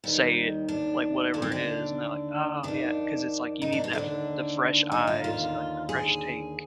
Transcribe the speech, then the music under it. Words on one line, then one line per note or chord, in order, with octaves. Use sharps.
say it, like, whatever it is, and they're like, "Oh yeah." Cause it's like, you need that the fresh eyes, you know, like, the fresh take
D#2 D#3 G3
D4
D#2 D3 D4
C4
D4
F2 D#3 D4
D#4
D4
C4
D#2 D3 D4
D#4
F4
D#2 D3 F4
G#4